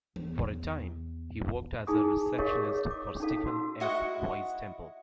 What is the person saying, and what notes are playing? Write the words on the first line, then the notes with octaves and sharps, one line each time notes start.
For a time, he worked as a receptionist for Stephen S. Wise Temple.
E2
D#4 G#4 G#5 D#6
G4 G#4 A#4 C#5 D#5 F5
C#5 D6
D6
C#4 D#4 A4 F5
F#4 C6 E6
E4 F#4 D#5 F#5